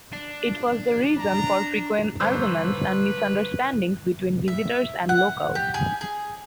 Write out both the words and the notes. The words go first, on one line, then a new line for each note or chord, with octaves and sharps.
It was the reason for frequent arguments and misunderstandings between visitors and locals.
D4
A#5
G1 B4 C5 E6
E5
F#5
G4
G#4
G#4